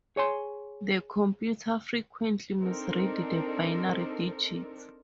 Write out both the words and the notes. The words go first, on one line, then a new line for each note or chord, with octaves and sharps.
The computer frequently misread the binary digits.
G#4 C#5 G#5 C6
C4 D4 D#4 A4 A#4